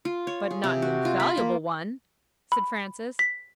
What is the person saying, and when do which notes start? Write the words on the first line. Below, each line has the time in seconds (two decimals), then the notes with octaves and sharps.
"But not an infallible one?" said Francis.
0.05 F4
0.27 C#5
0.51 G#4
0.64 C3
0.82 F#4
1.05 F4
1.20 B5
1.37 A#3
2.52 B5
3.19 B6